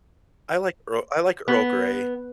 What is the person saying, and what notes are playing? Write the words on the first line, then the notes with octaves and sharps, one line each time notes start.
I like Earl I like Earl Grey.
B3